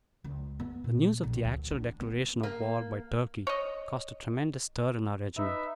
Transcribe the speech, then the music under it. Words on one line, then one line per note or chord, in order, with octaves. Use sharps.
The news of the actual declaration of war by Turkey caused a tremendous stir in our regiment.
C#2
B3
A#2
A#1
D2
D4
B3
A#3
C#5 D#5
D#4 B4 E5